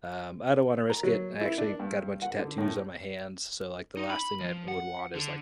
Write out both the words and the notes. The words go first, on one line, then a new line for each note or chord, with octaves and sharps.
um, I don't wanna risk it. I actually got a bunch of tattoos on my hands, so, like, the last thing I would want is, like,
A#5
F#3
E4
D4
G2
F#5
D3
A2
D#4
B5
F3
F#5
D3